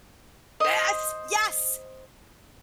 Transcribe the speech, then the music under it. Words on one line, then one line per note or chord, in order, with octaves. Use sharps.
Yes, yes,
C5 D#5